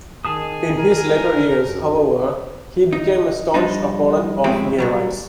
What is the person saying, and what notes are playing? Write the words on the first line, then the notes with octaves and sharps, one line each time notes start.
In his later years, however, he became a staunch opponent of gay rights.
D#3 G#4 G#5 A5 D#6
A#4
F#2
D#4
F3 G3 D4 D#4
F3 G#3 C4 C#4 E4 G4
A#2 F#3 G3